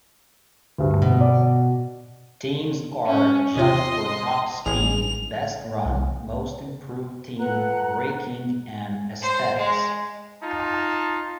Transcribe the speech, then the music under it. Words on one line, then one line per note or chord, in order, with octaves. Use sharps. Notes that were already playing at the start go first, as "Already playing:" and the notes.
Teams are judged for top speed, best run, most improved team, braking, and aesthetics.
D2 G2
B2
D5
C#4
E2 C3 F4 D#5 C6
A1 A2 G#4 F7
C2
F4 A4 B4 F#5 A#5 F#6
C5
G#3
D#4 F4 A5